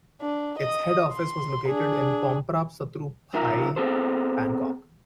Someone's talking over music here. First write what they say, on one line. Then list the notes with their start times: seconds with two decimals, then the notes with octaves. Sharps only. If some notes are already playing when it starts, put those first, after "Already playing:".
Its head office was located in Pom Prap Sattru Phai, Bangkok.
0.21 D4
0.59 D#5 D#6
1.12 C6
1.69 D4 G#4
3.33 B1 D#3 F4 A#4 E5 A#5
3.76 B3 C4 G#4 A4 C5